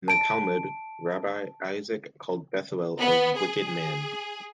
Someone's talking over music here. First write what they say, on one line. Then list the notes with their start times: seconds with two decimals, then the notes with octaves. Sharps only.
In the Talmud, Rabbi Isaac called Bethuel a wicked man.
0.08 A5 D7
2.98 B3
3.37 G#4